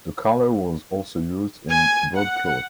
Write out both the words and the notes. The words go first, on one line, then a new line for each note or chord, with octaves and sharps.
The color was also used in broadcloth.
G#5
F#5